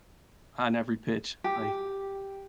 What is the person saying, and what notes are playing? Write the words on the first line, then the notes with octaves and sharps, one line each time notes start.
on every pitch, like,
G4